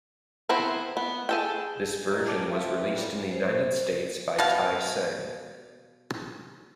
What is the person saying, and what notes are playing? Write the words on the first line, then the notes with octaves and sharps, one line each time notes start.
This version was released in the United States by Tai Seng.
B3 C4 E4 C5 A#5
B3
G#4 A4 G5
A3 C4 D4 D#4 G4 A#4
A5 D6
E4 F4 G4 A4 C5 E5
E2
A#2 C#3 G3
C5
B2 F5